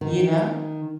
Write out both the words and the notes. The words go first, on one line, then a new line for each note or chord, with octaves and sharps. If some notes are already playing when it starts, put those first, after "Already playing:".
you know?
D#3